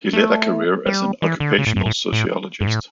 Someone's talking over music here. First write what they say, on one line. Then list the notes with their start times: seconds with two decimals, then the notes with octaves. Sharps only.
He led a career as an occupational sociologist.
0.13 A3
0.86 G3
1.22 E3
1.40 D3
1.58 C#3
1.67 A2
1.76 G2
1.86 A2
2.13 A2
2.61 G2
2.67 A2